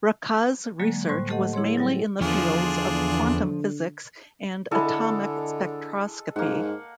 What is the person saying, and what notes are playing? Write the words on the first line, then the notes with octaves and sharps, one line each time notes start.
Racah's research was mainly in the fields of quantum physics and atomic spectroscopy.
D3 F#3 G#3 A#3
A2 G3 C5 C6 F#6
A3 G4 A4 D#5 F#5
E4 G#4 C#5 C6
F#3 G3
E2 D3 F3 D4 F4 G#4
D3 G#3 E4 A4 D#5 E5 B5
G#2 A#3 F#5